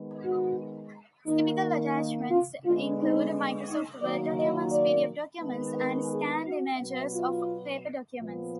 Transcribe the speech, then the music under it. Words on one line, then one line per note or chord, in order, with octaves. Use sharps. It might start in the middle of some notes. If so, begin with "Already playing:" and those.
Typical attachments include Microsoft Word documents, pdf documents and scanned images of paper documents.
Already playing: D#3 G#3 B3
F#4
D#3 A#3 D#4
D#4
F4
D3 G#3 B3 F4
D#4
D#4
D#3 F#3 A#3 D5
D#5
D5
D#3 G#3 B3
B4
G#4
F#4
B2 F#3 B3
F4
A#2 F3 B3